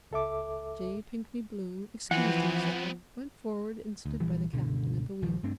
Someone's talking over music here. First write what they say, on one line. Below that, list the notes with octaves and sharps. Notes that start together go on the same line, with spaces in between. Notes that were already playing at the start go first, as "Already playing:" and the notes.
J. Pinkney Bloom excused himself, went forward, and stood by the captain at the wheel.
C#2 A4 E5 D6
E3 F3 B3 C4 F#5
D2
A#1 E3 G3
G1 C#2 B2 D3
A#1 D#3 F3 G3
G2 A3 C4 D4